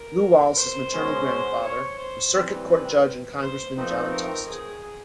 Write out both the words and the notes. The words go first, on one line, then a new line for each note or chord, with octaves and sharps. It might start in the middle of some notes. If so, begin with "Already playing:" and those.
Lew Wallace's maternal grandfather was circuit court judge and Congressman John Test.
Already playing: A#4
C5
B2 G#3 C#4
C#5
C5
E3 G3 C4 B4
B4
C5
F3 A3 C4 D#4 B4
A#4
G#4